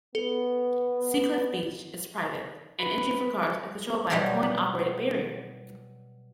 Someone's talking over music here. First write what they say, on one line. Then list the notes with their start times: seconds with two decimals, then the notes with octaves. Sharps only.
Seacliff Beach is private, and entry for cars is controlled by a coin-operated barrier.
0.15 B3 A4
2.79 B4
4.10 B2 F#3 G3 G4 C#5 C6